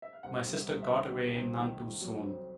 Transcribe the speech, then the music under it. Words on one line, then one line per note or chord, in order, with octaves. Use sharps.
My sister got away none too soon.
E5
F5
C2 F#5
C2
E5
C2
E5
D#3
C3
C2
D#3
C2
F#3
F2